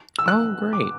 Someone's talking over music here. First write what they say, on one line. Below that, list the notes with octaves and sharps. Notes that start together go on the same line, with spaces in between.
Oh, great.
E6
F#6
D6